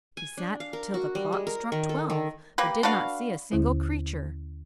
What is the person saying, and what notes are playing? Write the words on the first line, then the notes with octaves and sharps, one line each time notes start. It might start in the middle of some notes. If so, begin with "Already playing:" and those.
He sat till the clock struck twelve, but did not see a single creature.
G#5
D4
F5
A#4
F#4
G3
G#3
A#4
D#3
A4
D#3
A#3 G4 B4
D4 F#4 B4 F5
D#2 D3 E4